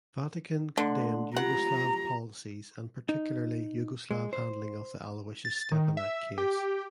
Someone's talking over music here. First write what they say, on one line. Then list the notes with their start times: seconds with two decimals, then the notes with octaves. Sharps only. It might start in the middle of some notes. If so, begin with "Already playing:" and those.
Vatican condemned Yugoslav policies and particularly Yugoslav handling of the Aloysius Stepinac case.
0.77 D3 A3 C6
1.36 F4 G4 F#5 A#5
3.09 D#4
4.11 G#3
4.33 C5
5.45 A6
5.72 D#3
5.97 E5
6.38 G4